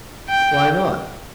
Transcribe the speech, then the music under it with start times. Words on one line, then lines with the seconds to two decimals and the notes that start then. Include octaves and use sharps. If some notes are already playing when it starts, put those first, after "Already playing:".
"Why not?"
0.29 G5